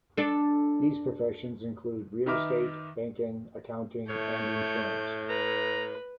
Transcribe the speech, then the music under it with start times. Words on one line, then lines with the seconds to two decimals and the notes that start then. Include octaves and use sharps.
These professions include real estate, banking, accounting, and insurance.
0.18 D4 A4
2.26 D#3 D#4 B4 E5 D6 F6
4.10 A2 A3 C#5 G6
5.30 B4 A#5